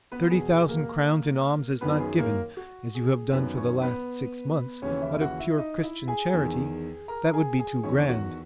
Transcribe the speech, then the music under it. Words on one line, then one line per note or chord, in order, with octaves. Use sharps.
Thirty thousand crowns in alms is not given, as you have done for the last six months, out of pure Christian charity; that would be too grand.
B3 B4
E2 B2 G#4
A#3 A#4
F#2 D#3 B3 B4
G#4
A#3 A#4
F#4
G#4
F#2 D#3 B3 B4
C#4 C#5
B3 B4
D#2 C#3 E3 C#4 C#5
E4 E5
F#4 F#5
E4 E5
D#4 D#5
E4 E5
G#4 G#5
E2 D#3
A#4 A#5
G#4 G#5
G#4 G#5
E2 D#3 C#4 C#5
F#4 F#5